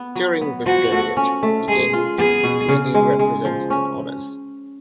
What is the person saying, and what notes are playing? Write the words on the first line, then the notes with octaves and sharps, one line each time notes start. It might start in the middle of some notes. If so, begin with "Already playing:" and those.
During this period, he gained many representative honours.
Already playing: B3
F#3
B3
F3 F#4
A3
C#4
A3
G#3 G#4
F4
B3 G#4
B2
C#3
G#3
G#3
F3
C#4